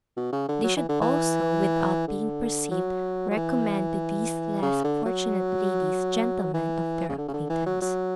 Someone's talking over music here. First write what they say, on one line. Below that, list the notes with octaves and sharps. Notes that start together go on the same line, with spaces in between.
They should also, without being perceived, recommend to these less fortunate ladies, gentlemen of their acquaintance.
B2
C#3
D3
F#3
E3
D3
E3
D3
F#3
F#3
E3
C#3
D3
F#3
E3
C#3
D3
C#3
D3
E3
F#3
F#3